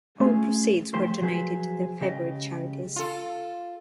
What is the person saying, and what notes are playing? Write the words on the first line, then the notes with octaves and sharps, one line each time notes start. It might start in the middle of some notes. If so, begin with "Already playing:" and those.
All proceeds were donated to their favorite charities.
A3 B3 C#4 F4 G#4
C#2 F3 A3 G4 C5 C6
F3 F#3 G#4 B4 C5
C#2 C#3 G4 D#5
F4 A4